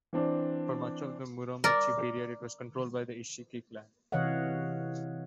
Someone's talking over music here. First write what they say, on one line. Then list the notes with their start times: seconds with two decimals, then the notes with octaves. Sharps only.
For much of the Muromachi period it was controlled by the Isshiki clan.
0.13 E3 C4 D4
1.64 A#4 D5
4.12 C3 E3 C#5 D#5 F5 F#5